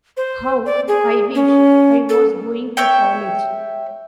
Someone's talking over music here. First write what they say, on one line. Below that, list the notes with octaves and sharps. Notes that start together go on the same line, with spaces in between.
How I wish I was going to college!
C5
D5
G#4
C#4
A4
C#5 E5 G5